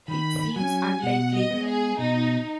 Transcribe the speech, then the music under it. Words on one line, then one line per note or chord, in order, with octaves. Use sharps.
It seems unlikely.
D#3 B5
F#3 C#4 G#5
B2 F#5
D#5
G#3 B3
G#4
B2 D#4